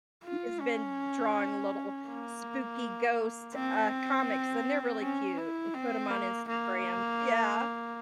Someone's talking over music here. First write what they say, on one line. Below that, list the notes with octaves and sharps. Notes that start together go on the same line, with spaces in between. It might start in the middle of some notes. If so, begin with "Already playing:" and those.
has been drawing little spooky ghost, uh, comics, and they're really cute and put 'em on Instagram yeah,
F4
C#4
A#3
C4
C#4
E4
C4
A#3
A#3